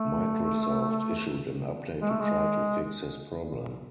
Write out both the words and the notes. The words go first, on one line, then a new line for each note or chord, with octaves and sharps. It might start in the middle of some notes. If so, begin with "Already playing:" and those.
Microsoft issued an update to try to fix his problem.
Already playing: A3
G#3
A3
G#3